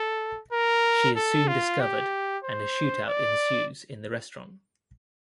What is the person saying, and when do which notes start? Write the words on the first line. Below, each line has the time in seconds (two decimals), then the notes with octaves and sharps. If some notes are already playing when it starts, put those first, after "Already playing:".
She is soon discovered and a shoot out ensues in the restaurant.
Already playing: A4
0.52 A#4
1.16 A4
1.48 F4
1.80 G4
2.44 C5
3.08 D5